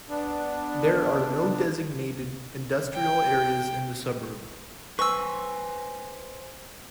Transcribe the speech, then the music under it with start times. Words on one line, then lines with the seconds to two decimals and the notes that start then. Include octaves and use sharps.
There are no designated industrial areas in the suburb.
0.09 B3 D4
2.93 G5
4.99 B4 C5 G#5 C#6 E6